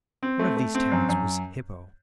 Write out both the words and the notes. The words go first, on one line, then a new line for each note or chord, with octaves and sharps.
One of these towns was Hippo.
C4
A3
A3
C4
F#2
F#2